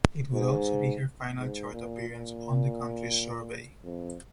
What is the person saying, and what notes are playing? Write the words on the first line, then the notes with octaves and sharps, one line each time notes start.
It would also be her final chart appearance on the country survey.
G#2
G#2
A#2
A#2
F2